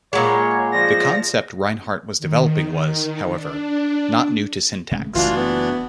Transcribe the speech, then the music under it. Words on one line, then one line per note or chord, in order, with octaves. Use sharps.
The concept Reinhart was developing was, however, not new to syntax.
A#2 G#3 C#5 F#5 A#5 B5
F3 D5 A#6
D#3
D#3
D4
C#3 G#3 A3
F#1 E3 A3 D4 F4 F#4
B3